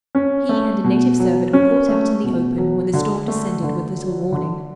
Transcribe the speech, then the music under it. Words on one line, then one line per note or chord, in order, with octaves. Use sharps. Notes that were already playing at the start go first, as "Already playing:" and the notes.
He and a native servant were caught out in the open, when the storm descended with little warning.
C#4
A3
B2
F#3
C#4
A3
B2
F#3
D3
A3
D3
F#3
D3